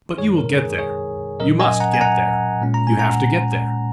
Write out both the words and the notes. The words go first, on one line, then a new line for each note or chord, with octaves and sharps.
But you will get there; you must get there; you have to get there.
F#2 D#3 G#3 D#4 G#4 C#5
A#4
G#4 C#5
G#4 C#5
A#2 F#3 C#4 A#4 D#5
D#5 G#5
F#5 A#5
G#5
F#5 A#5
A#2 G#3 C#4
A#5
G#5
F#5 A#5